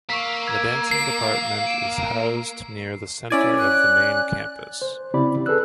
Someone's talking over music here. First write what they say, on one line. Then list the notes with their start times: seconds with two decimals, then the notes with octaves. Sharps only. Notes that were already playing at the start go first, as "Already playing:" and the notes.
The dancing department is housed near the center of the main campus.
0.10 A#3 C#6 E6 B6
0.47 E6 G#6
0.91 C7
1.67 D7 E7
3.30 C#4 E4 D5 G#5
3.58 F#6
4.82 C5
5.14 C#3 C4 E4 G4 D5 B5
5.46 G#4 A4 B4 E6 F#6